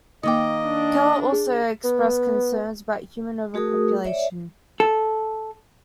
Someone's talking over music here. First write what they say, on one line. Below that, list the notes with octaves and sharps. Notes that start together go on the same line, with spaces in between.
Keller also expressed concerns about human overpopulation.
D#3 A#3 D#5 G5 D6 D#6
D4
G#4
B3
A3 F#4 G#4 A#4 D#6
C#5 D5 E5
A4